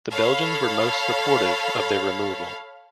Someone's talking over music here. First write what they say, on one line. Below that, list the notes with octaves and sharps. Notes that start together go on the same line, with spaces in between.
The Belgians were most supportive of their removal.
A4 C#5 F5 B5